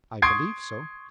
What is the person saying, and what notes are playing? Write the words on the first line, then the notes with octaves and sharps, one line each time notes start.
"I believe so."
C6 C#6 D#6 G#6 C7 D7